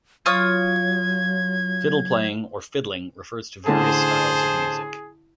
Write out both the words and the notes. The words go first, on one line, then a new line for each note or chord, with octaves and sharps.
Fiddle playing, or fiddling, refers to various styles of music.
F#3 F4 C#5 D#6 G#6
A1 D3 G#4 C5 A5 D#6